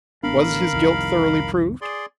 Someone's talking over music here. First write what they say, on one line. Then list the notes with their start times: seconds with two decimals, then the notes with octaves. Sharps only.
Was his guilt thoroughly proved?
0.23 A1 B3 D4 A#4 F5 B5
0.73 C2 F2 D#3
1.81 G#4 D5 C6